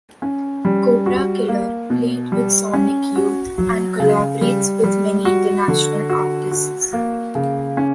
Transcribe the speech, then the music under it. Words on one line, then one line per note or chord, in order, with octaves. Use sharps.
Cobra Killer played with Sonic Youth and collaborates with many international artists.
C#4
G3
F#4
A#3
B2
G3
C#4
F#4
F#3
C#3
G3
G3
F#4
D3
F#4
F#4
A#3
C#3
C#4